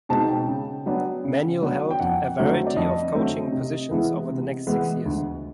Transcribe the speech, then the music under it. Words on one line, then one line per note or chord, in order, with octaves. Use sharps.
Manuel held a variety of coaching positions over the next six years.
B2 G#3 C4 D#4 A5
G5
C#3
F#3 B3 D4
C#3
F#3 B3 D4
G5
F2 F#5
D3 F#3 A3 C4
D5
F2 D#5
D3 F#3 A3 C4
C3
E3 G#3 B3 E4
C3
E3 G#3 B3 E4
D2